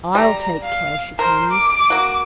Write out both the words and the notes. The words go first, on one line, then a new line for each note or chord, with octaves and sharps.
I'll take care she comes.'
G3 A#5
F5
A#4 C5
D6
A#3 F#4